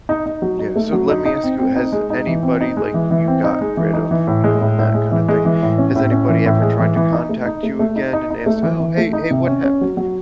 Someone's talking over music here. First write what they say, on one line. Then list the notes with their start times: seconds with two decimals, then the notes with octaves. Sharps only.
Yeah, so let me ask you, has anybody, like, you got rid of, you know, in that kind of thing, has anybody ever tried to contact you again and ask, "Oh, hey, hey, what happened?"
0.09 D#4
0.26 D#4
0.42 F#3
0.59 D#4
0.76 A3
0.92 F#3
1.10 D#4
1.26 D#4
1.43 C4
1.59 C4
1.76 D#4
1.92 G#3
2.10 D#4
2.27 E3
2.43 C4
2.61 D#4
2.77 G#3
2.94 E3
3.11 E3
3.28 C4
3.44 D#4
3.61 G#3
3.77 E3
3.93 D#4
4.11 E3
4.27 A2
4.44 G#3
4.61 A2
4.78 A2
4.94 G#3
5.12 E3
5.28 G#3
5.45 E3
5.62 A2
5.78 C#4
5.96 A2
6.12 C#4
6.29 E3
6.46 A2
6.62 G#3
6.79 E3
6.96 E3
7.13 D#4
7.29 A3
7.46 D#4
7.63 A3
7.79 A3
7.96 D#4
8.13 D#4
8.30 D#4
8.46 A3
8.63 E3
8.80 E3
8.97 A3
9.13 D#4
9.31 C3
9.47 C#4
9.63 C#4
9.81 F#3
9.97 F#3